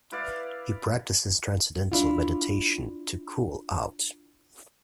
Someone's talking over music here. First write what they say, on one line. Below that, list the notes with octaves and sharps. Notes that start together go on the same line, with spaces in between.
He practices Transcendental Meditation, to "cool out".
E4 B4 D5 F5
D4 E4 F4